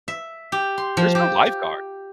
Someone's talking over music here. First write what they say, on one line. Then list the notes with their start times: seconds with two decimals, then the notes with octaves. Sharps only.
There's no lifeguard,
0.08 E5
0.52 G4
0.78 C6
0.97 F3
1.15 G4